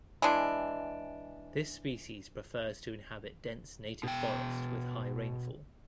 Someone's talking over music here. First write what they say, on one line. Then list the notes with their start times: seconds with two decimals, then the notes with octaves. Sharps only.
This species prefers to inhabit dense native forest with high rainfall.
0.22 E3 G#3 D4
4.03 B2 G5